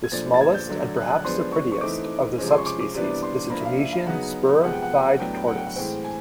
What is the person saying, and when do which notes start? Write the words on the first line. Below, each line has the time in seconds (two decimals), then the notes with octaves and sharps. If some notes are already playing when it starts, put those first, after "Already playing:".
The smallest, and perhaps the prettiest, of the subspecies is the Tunisian spur-thighed tortoise.
0.04 G#6
0.12 A#2 F3 A3 D4 A6
0.34 A6
0.41 G#6
0.54 G6
0.69 D3 F#3 A3 D4
0.97 F#6
1.10 F#6
1.25 F3 G#3 B3 D4 C6
1.52 C#6
1.72 C#6
1.81 E3 A3 C4 D#4 D6
2.38 C3 F3 G#3 C#4
2.51 C6
2.58 C#6
2.66 D6
2.81 D6
2.94 C3 E3 G3 B3 D4
3.23 C6
3.50 F3 A#3 D4 B5
3.60 E5
3.65 F5
3.79 E5
3.93 F5
4.06 C#3 F#3 B3 D#4 F#5
4.63 C3 F3 G#3 B3 F#5
4.72 G5
4.82 F#5
5.08 F#5
5.19 A2 F#3 B3 D4 G5
5.34 G5
5.47 F#5
5.57 G5
5.67 F#5
5.76 A2 E3 G#3 C4 G5
6.04 G#5